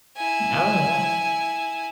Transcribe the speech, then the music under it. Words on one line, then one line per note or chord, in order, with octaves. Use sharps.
Oh, yeah.
E4 G#5